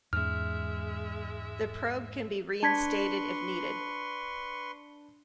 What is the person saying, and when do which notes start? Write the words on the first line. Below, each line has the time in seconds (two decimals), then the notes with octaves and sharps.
The probe can be reinstated if needed.
0.13 E2 G#2 G#3 C#4 E5 F6
2.63 D4 B4 A5 C6 C#6 G#6 B6